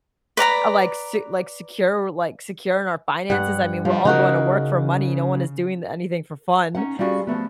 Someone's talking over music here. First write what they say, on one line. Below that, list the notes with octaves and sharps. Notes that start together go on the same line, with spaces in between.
uh, like s like secure like secure in our finances? I mean, we're all going to work for money, no one is doing anything for fun.
B4 D5 A#5 B5
G2 F#5
F3 G3
C#3 D#4 F#4 A#4
C#4 D#4 F#5
G3 C#4 F4 F#4 G#4
F3 F#3 A3 B3